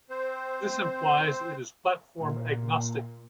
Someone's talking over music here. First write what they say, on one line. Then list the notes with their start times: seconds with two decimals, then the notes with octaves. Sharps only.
This implies it is platform agnostic.
0.10 C4 C5
2.18 A#2